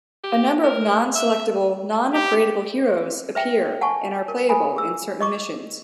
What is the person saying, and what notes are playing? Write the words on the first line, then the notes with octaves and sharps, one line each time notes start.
A number of non-selectable, non-upgradable heroes appear and are playable in certain missions.
G4
A#4
E5
G4
B4 E5 G5
F#5 G#5 A5 C#6
A#4
A4 G#5 B5
G#4 E6
D#5 C#6 D6